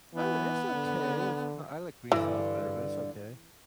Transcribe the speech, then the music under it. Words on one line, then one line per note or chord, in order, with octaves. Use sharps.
Eh, it's okay, it's not I like green salads better, but it's okay.
E3 B3
D3
G2 D3 E3